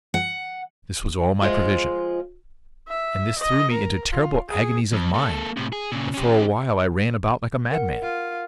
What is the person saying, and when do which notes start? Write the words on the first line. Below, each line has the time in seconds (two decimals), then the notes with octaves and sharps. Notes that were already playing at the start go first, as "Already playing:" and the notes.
This was all my provision; and this threw me into terrible agonies of mind, that for a while I ran about like a madman.
0.14 F#5
1.42 F3 G#3 F4
2.88 E5
3.39 D#5
3.72 A#4
4.13 F4
4.49 G#4
4.92 F2
5.14 A#3 A4
5.57 A2 C3
5.73 G#4
5.92 A#2 C#3
6.14 C#4 G4
7.71 A#4 F#5
8.03 F4